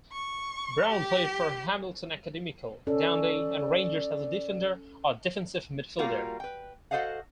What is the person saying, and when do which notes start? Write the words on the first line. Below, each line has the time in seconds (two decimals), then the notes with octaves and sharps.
Brown played for Hamilton Academical, Dundee and Rangers as a defender or defensive midfielder.
0.12 C#6
0.88 G4
2.87 C#4 A4 D5
5.99 G3 A#3 F4 F#4 A#4
6.40 B4 G5
6.91 F#4 A4 C5 D#5 F5 F#5